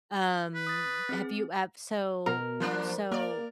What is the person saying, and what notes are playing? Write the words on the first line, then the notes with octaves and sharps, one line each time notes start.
Um, have you ev so so
B4
D#6 A6
C4 G#4
B2 A#4
F3 F#3 A#3 D4 C5 F#6
A#3 A#4 D5